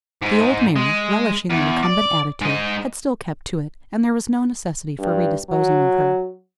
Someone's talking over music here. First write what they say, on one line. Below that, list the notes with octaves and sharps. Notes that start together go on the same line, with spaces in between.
The old mare, relishing the recumbent attitude, had still kept to it; and there was no necessity for re-disposing of her.
G#2
G#3
E2
D5
G#2 D#5
G2
F#3